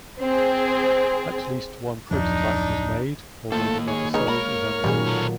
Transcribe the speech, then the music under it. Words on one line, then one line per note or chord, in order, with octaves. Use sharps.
At least one prototype was made although the number sold is unknown.
C4 G#4
D1 F2 F3 D4 D#4
D#3 F3 A3 A#3 A4
G#4 C#5
G#3 D#4 G#4 B4 C#5 F6
A#3 A#4 B5
A#2 D#3 F#3 G3 C#4 G#4
B2 A4 A#5